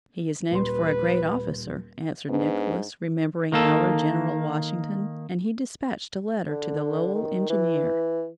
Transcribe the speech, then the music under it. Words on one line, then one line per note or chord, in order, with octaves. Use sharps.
"He is named for a great officer," answered Nicolas, remembering our General Washington, and he dispatched a letter to the Lowell engineer.
D#1 B4 C6
G#2 B3 D4
D#3 A#3 A4
D3
D#3
E3